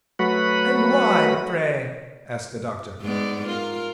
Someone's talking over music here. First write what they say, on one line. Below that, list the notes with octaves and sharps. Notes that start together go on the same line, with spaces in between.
"And why, pray?" asked the Doctor.
F#3 A3 F#4 B4 F#5 B5
G#2 B3 D5
F4 A#4